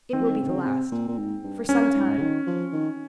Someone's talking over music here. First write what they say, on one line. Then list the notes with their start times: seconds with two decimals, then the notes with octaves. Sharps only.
"It will be the last--for some time."
0.12 D#3 C4
0.20 F3
0.29 D#3
0.39 C#3
0.47 D#3
0.56 C#3
0.65 C3
0.92 A#2
1.08 A#2
1.17 G#2
1.44 G2
1.69 G2 C#4
1.95 G#2
2.17 C#3
2.22 D#3
2.47 F3
2.73 D#3